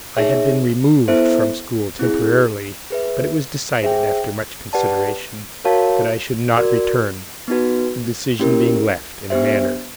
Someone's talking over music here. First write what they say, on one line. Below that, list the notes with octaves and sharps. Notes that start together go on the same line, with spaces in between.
I had been removed from school temporarily, but it was decided, after much consideration, that I should not return, the decision being left, in a manner, in my own hands.
D#4 G#4 C#5 E5
B3 E4 A4 C5 E5
C4 E4 G#4
G#4 B4 E5
G#4 C5 E5 G5
G4 B4 D5 F#5 A5
F#4 A#4 C#5 F5 A5
F#4 A#4 D5
B3 D#4 F#4 B4
A#3 C#4 E4 G4 A#4
B3 D4 G4 C5 E5